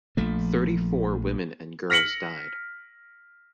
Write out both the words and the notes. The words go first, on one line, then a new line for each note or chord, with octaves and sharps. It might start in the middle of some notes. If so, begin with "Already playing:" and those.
Thirty-four women and girls died.
A#1 F3 A3
F6 A#6 B6 C#7 F#7